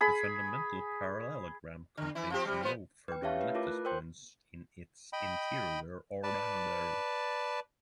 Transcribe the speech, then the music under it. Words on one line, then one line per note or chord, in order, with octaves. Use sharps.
The fundamental parallelogram contains no further lattice points in its interior or boundary.
G#4 B5
D3
E3 E4
F3 C4 G4
C3 G3
F3 B3 C5
B4 G5
C#4 G4 C#5 E5 F5 A5
A3 E4 B4
F4 A#4 B4 A5 D6
F#6
A#4 C5 G5 C6 G6
D#5 G5 B5
B4 D5 A5